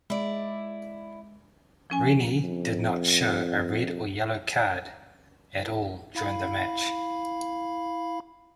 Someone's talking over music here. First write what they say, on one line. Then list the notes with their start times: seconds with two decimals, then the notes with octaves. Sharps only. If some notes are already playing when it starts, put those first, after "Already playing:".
Rennie did not show a red or yellow card at all during the match.
0.10 G#3 E4 D5
1.90 F3 C#4 G#5
2.44 F2
6.15 E4 F5 B5